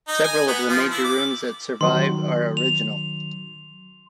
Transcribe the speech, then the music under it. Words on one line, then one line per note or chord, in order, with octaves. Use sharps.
Several of the major rooms that survive are original.
D#4
G#5
B3
F3
E4
D6
D#3 F#3 C6
F7